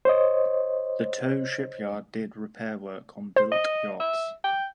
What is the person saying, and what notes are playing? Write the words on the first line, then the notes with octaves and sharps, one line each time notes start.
The tow shipyard did repair work on built yachts.
C5 C#5 D#5
C5
D#5
E5
G5